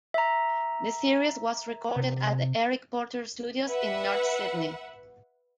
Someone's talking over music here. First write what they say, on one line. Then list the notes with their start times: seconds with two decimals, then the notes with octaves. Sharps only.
The series was recorded at the Eric Porter studios in North Sydney.
0.14 E5 A#5
1.95 C3
3.67 B4 E5 F#5